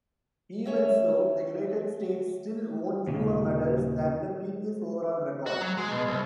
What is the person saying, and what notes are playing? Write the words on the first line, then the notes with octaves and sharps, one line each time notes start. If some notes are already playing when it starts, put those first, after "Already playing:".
Even so, the United States still won fewer medals than the previous overall record.
C#4 C#5 E5
D#2 A#2 C#3
F#4
F#3
G#3
B2
C2